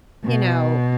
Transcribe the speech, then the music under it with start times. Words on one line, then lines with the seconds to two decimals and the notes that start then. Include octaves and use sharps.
you know
0.24 B2